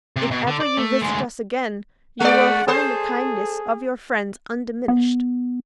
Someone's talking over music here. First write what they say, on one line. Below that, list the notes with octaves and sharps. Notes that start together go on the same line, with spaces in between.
If ever you visit us again, you will find the kindness of your friends undiminished.
C3
B2
D3
D5
A3
D2 G#3
G#3 D5 F#5
G#4 A4 C5
B3